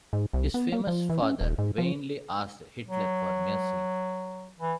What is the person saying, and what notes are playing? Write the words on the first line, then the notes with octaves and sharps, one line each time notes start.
His famous father vainly asked Hitler for mercy.
G#2
C2
B3
A#3
F3
E3
C#4
D#1
G#2
F3
F#3
E3